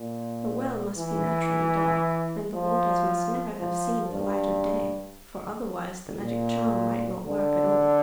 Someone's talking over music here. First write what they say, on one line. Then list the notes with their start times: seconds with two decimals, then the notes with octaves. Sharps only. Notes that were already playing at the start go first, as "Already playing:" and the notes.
"The well must be naturally dark, and the water must never have seen the light of day, for otherwise the magic charm might not work at all."
Already playing: A#2
0.97 E3
2.55 F3
3.59 F3
4.12 G2
6.21 A#2
7.26 D3